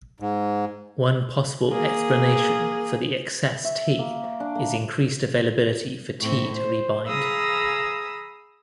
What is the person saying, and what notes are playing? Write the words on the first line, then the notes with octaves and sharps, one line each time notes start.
One possible explanation for the excess T is increased availability for T to rebind.
G#2
A#3 G#4
E5
A#3
D6
D4
A#3
A2 C4 C#6
C5
G#4 F5 A#5 B5 D#6 E6